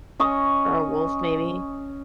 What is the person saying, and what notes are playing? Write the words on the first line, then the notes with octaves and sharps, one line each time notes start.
or a wolf, maybe
C#4 D#5 C#6